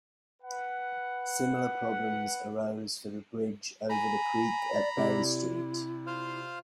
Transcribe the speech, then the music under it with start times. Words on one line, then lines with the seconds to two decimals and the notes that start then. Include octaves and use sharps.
Similar problems arose for the bridge over the creek at Bay Street.
0.42 B4 F#5
3.90 G#5 A#5 B5
4.73 D5
4.97 C3 E4 D5
6.07 F4 C5 F5